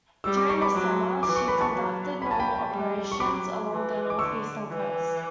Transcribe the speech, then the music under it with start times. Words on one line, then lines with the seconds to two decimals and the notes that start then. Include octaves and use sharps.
During the summer, she conducted normal operations along the northeastern coast.
0.24 G3 E6
0.37 D6
0.49 C#6
0.62 B5 D6
0.74 F#3
1.23 E3 D6
1.36 C#6
1.48 B5
1.61 A5 C#6
1.72 F#3
2.22 C#4 B5
2.31 A5
2.40 G5 B5
2.71 G3
3.12 C#6
3.20 F#3 B5 D6
3.70 E3
4.10 D6
4.19 D3 C#6 E6
4.68 E3